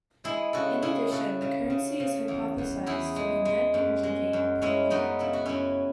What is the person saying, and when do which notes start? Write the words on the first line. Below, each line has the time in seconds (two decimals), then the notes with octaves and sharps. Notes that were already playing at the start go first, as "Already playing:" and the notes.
In addition, the currency is hypothesized to be net energy gain per unit time.
0.24 G#3 E4 G#4
0.53 C#3 F#4 A4
0.82 C#3 E4 G#4
1.11 C#3 F#4 A4
1.42 C#3
1.70 C#3
2.00 C#3
2.28 E2
2.58 E2
2.86 E2 E4 G#4
3.16 G#3
3.45 G#3
3.74 F#2
4.03 G#3
4.33 F#2
4.62 G#3 C#4 E4
4.90 F#2 B3 D#4
5.20 C#3 E4
5.33 F#4
5.46 F#2 C#4 E4